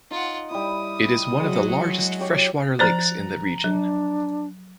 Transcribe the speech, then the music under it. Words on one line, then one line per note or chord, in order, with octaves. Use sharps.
It is one of the largest freshwater lakes in the region.
D#4 F4 F#5
G3 E4 D#6
F#3 G#3 F#4
G4 C#5 G5
F3 C5 D5 A#5 F#6 A6
F#3 D4